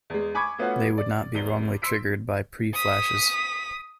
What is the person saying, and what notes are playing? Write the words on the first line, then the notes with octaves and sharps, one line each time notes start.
They would not be wrongly triggered by pre-flashes.
E2 G#3
G#5 B5 C#6 D6 G#6
A3 B3 C#4 F4 F#4
D5
E2 G7
C6 E6 B6 D7
D#6 B6